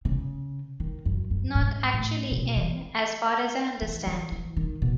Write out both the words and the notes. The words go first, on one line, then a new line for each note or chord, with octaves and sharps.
Not actually in, as far as I understand.
C#3
D#3
F#2
F#2
G#2
A2
B2
E3
E3
E3
E3
D#3
B2